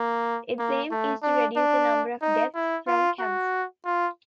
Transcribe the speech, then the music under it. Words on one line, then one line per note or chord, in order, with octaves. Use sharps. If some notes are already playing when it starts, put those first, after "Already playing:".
Its aim is to reduce the number of deaths from cancer.
Already playing: A#3
A#3
A3
D4
D4
D#4
E4
F4
F#4
F4